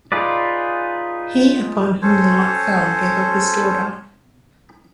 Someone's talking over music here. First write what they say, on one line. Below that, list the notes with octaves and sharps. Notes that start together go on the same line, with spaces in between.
He upon whom the lot fell gave up his daughter.
D#4 F4 G#4 B4 D5
C#4 A4 C5 C#5